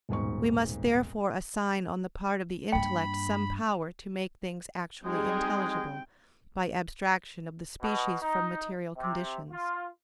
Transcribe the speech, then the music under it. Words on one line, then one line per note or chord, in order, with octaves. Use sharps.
We must therefore assign on the part of the intellect some power to make things actually intelligible, by abstraction of the species from material conditions.
D#1 B1 G#2 C#6
G2 A#3 G5 B5
G3 G#3 C4 D#4 G#4 G5
B2
D#4
C3
F4